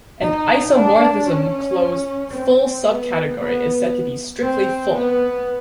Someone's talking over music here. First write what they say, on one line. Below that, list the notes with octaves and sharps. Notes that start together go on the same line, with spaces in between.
An isomorphism-closed full subcategory is said to be strictly full.
D#4
D4
C#4
C4
B3
B3
C4
B3